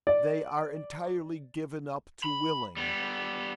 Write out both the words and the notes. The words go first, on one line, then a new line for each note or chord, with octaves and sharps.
They are entirely given up to willing.
D5
B5
G3 B3